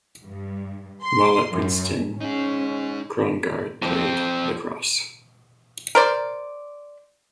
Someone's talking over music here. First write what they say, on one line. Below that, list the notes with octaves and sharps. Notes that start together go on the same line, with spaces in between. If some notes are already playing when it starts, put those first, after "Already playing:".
While at Princeton, Krongard played lacrosse.
G2
C6
F#2
C#4 D#4 G#4
F2 C4
A#4 C5 D5